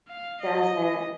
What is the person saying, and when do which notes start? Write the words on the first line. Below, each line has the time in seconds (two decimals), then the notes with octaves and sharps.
It doesn't.
0.08 F5
0.41 D#5